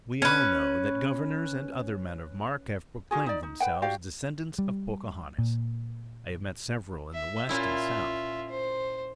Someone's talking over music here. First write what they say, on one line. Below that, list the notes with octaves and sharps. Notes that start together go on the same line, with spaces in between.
We all know that governors and other men of mark have proclaimed themselves descendants of Pocahontas; I have met several in the West and South.
C#4 B4
F4 F#4 G#4
D#4 D5
D#4
B4 F#5 G5
F#4 G4 D5 F5
G3
A#2
E5
A#2 C#4 E4 F4 E5
C5